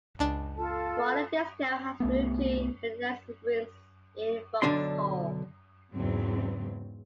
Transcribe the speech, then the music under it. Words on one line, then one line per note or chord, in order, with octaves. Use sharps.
Roller Disco has moved to Renaissance Rooms in Vauxhall.
C#2 D4 A6
F4 A4 A5
C2 A3 B3
B1 F#2 D3 D4 C6
E2 G#2 C#3 F#3 C4